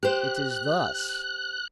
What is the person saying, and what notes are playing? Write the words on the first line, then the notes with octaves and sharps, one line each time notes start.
"It is thus."
G4 C5 F#6